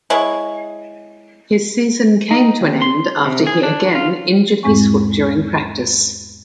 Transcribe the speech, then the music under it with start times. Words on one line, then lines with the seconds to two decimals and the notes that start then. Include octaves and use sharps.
His season came to an end after he again injured his foot during practice.
0.10 G#3 E4 C#5
2.31 D#4
2.61 D#2
2.82 C6
3.25 C3
3.47 G#4
3.63 D4
3.95 F4
4.63 E2 G#2 G#3 C4 G#5 C#6